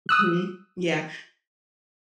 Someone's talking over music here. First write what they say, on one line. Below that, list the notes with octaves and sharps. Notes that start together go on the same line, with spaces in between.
Mhm, yeah.
D#6 E6 F#6